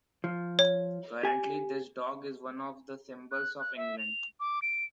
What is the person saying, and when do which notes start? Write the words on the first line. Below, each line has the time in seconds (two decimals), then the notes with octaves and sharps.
Currently, this dog is one of the symbols of England.
0.24 F3
0.59 C#5
1.23 G4 G#5
3.32 F#6
3.60 F#6
3.77 E5
3.98 F7
4.40 D6
4.62 D7